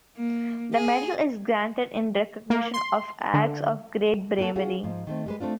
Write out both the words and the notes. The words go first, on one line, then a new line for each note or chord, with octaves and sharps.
The medal is granted in recognition of "acts of great bravery".
A#3
G#4
A#3
C6
D3
A#3 C4 E4 F#4 A4
C#4 F4 F#4 G#4
G#2 F3
D#3 A3 C4
G3 G#3 B4
A3 C4 D4 F4